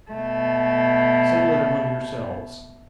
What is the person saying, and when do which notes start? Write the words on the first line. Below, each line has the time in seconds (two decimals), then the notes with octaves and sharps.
'Settle it among yourselves.
0.12 B2 A3